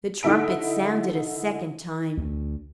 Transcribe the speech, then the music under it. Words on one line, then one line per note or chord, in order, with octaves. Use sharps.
The trumpets sounded a second time.
D3 D#4 E4 E5 D7
D2